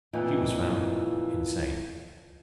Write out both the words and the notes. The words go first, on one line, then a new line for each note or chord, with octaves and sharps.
She was found insane.
F2 A#2 E3 F3 A#3 D#4